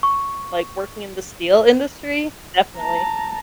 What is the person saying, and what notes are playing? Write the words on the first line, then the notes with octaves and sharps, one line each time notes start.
like, working in the steel industry. Definitely.
C#6
A5 A#5